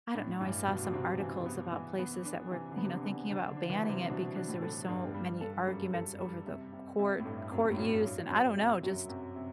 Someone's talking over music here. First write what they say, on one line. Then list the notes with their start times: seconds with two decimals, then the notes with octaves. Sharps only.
I don't know, I saw some articles about places that were, you know, thinking about banning it because there were so many arguments over the court court use, and I don't know, just
0.15 A2 D4
0.41 G2 E3
0.67 B2 D4
0.85 B2
0.93 C3 D4
1.20 E3
1.46 B3
1.73 E3
1.99 B3
2.25 D4
2.51 C3 E3
2.71 D3
2.78 B3
2.85 C3
2.91 D3
3.04 B3
3.11 D3
3.30 C3 D4
3.50 D3
3.57 D4
3.70 E3
3.83 G3
3.89 C3
4.09 B2 D4
4.36 D4
4.49 A2
4.62 A4
4.88 G2 D4
5.14 G3
5.41 A4
5.67 F#2 G3
5.94 A4
6.20 G3
6.46 C3
6.73 C3
6.99 C3
7.20 A2
7.25 G2 A3
7.52 F#2 C3
7.72 A2
7.78 G2 F#3
8.04 F#3
8.31 F#3
8.57 C3
8.83 F#2 F#3
9.09 F#2 C3
9.36 C3